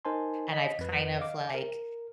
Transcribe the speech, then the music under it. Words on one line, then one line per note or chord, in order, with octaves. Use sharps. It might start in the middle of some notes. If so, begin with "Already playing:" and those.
and I've kind of like,
D#4 A#4 C5 G#5 A5 C6
D#5 B6
F2 B4
D#5 F5 D6
A#4